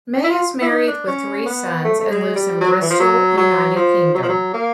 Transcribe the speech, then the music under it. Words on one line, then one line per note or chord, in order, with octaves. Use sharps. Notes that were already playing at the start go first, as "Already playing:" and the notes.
May is married with three sons and lives in Bristol, United Kingdom.
E4
F4
E4
D#4
D4
C#4
B3
A3
A3
G#3
G3
F#3
E3
F3
F#3
F#3
F3
F#3
F3
F#3
A#3